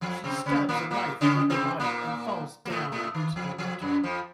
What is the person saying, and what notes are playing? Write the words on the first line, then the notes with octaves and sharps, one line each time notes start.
She stabs a knife in her body and falls down into the water.
F2 F3
C3 C4
C#3 C#4
A#2 A#3
A#2 A#3
C#3 C#4
C3 C4
A#2 A#3
A#3
A2 A3
A2 A3
D#3
F2 F3
F2 F3
F#2 F#3
F2 F3